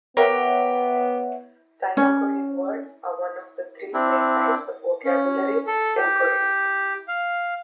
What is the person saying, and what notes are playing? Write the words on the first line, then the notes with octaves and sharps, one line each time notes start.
Sino-Korean words are one of the three main types of vocabulary in Korean.
B3 G4 A#4 C#5 E5 F#5
C#4
C4 D4 E4
C#4
A4
G4
F5